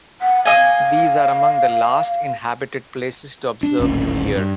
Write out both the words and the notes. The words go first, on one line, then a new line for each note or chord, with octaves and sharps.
These are among the last inhabited places to observe New Year.
F#5
D#5 F5 G#5
D4
D1 G#1 C#4
G2